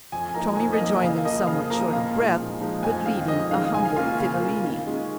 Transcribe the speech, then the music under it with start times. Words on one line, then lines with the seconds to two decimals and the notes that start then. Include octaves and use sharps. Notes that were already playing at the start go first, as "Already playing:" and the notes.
Tony rejoined them somewhat short of breath, but leading a humbled Fidilini.
0.12 F2 G#5
0.34 F3 A#3 D#4 A#5
0.57 F2 G#5
0.73 D#5
0.79 F3 A#3 D#4
0.88 D#5
1.02 C#3 F5
1.25 F3 A#3 D#5
1.47 C#3 F5
1.70 F3 A#3 A#5
1.93 A#2 F5
2.16 F3 G#3 D#4
2.38 A#2
2.61 F3 G#3 D#4
2.83 F2 G#5
3.06 D#3 G#3 F5
3.28 F2 D#5
3.51 D#3 G#3 F5
3.74 C#3 G#5
3.85 F5
3.96 A#3 C#4 F4 F5
4.08 G#5
4.19 C#3 F5
4.41 A#3 C#4 F4
4.64 D#3
4.87 G#3 C#4 F4